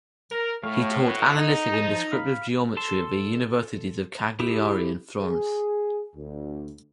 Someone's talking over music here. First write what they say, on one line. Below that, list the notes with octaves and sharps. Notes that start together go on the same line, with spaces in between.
He taught analytic and descriptive geometry at the Universities of Cagliari and Florence.
A#4
A2 A3 C#5 F5
F#4 B4 F#5
D#4 F#5 A#5 D#6
F3 A5
F5 B5
A4 A5 C6
E4 G4 G#4
G#4
D2